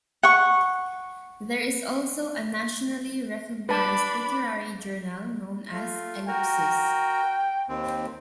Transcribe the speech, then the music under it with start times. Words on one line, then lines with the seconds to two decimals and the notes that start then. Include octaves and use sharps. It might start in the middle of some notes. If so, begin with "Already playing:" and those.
There is also a nationally recognized literary journal known as "Ellipsis".
0.23 F#5 C#6
3.69 D4 B4 D5 A5 B5
5.73 A3 F4
6.28 F#4 A#4 G5
7.69 D#2 C4